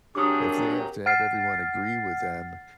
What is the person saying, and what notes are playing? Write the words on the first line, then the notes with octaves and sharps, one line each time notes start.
If they have to have everyone agree with them
C3 F#3 D4 G4 G#4 A#4 D6 D#6
F#5 F6 A6 C7